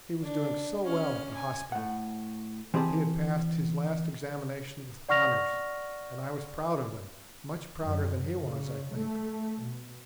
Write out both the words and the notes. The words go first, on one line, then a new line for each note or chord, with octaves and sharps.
He was doing so well at the hospital, he had passed his last examination with honours, and I was proud of them, much prouder than he was, I think.
D4
C#4 F6
G#5
A2 F#5
E3 C4 G4 G#4 A5
D5 F#5 C#6 F6 A#6 F7
F#2
C#3
A3
B2